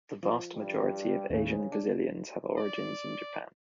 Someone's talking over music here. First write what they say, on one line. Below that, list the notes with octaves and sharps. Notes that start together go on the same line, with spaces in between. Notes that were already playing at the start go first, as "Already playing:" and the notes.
The vast majority of Asian Brazilians have origins in Japan.
F3
G2 G3
A1 D#2 A2 C#3
D4
D5